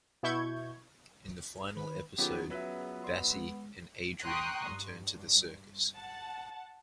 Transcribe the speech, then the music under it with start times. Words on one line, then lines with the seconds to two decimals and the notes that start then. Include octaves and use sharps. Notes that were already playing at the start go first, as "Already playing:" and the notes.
In the final episode Bassie and Adriaan return to the circus.
0.23 B2 E4 C#6 G6 G#6
1.76 D#3 B4
2.18 D#3 F#3 B3 C#4 F4 G4 G#4
2.50 F#3 B3 B4 E5
3.04 D5 C6
3.33 G#3
4.22 G5 A#5 C6 C#6 D#6 F#6
4.70 G2
5.95 F#5 A5